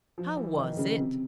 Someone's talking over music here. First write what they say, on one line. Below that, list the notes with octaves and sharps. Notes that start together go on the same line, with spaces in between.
How was it?
F3
E3
D#3
C#3
C3